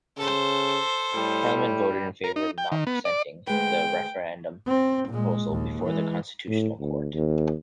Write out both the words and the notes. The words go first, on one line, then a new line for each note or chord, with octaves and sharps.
Parliament voted in favour of not presenting the referendum proposal before the Constitutional Court.
C#3 A4 C5
A2 G3
A#4
D#4
G5
D#3
B3
D5
D2 G#3 B4 G5
C4
A#2 G#3
A#1 D#2
E3 G#3
A2
D2
D#2